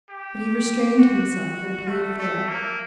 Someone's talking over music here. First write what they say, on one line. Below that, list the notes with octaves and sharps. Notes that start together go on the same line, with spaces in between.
But he restrained himself and played fair.
G4
F#4
A3
A3
A#3